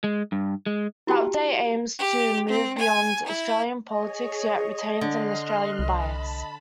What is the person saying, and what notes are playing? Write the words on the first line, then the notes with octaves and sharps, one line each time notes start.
The update aims to move beyond Australian politics, yet retains an Australian bias.
G#3
G2
G#3
E4 F#4 G4 G5 A5
G4
C4
G#5
E4
G#4 C#5 D#5
D3 C6 F6 F#6
C2 A5 B5